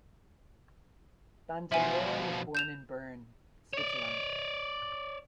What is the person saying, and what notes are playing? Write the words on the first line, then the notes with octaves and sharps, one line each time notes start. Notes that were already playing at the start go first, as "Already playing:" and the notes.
Bandelier was born in Bern, Switzerland.
B2 F3 E5 G#5
G6 E7 F7
C#5 D5